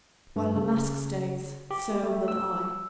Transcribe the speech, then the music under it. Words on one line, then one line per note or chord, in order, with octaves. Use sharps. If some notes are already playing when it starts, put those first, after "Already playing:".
"While La Masque stays, so will I."
G2
C#3
G4
A3
E6